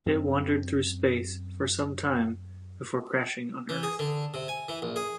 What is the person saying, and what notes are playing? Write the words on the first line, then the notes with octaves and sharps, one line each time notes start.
It wandered through space for some time before crashing on Earth.
F#2 C4
E3
G#4
D3
C3
G#5
E3
A#1
G#4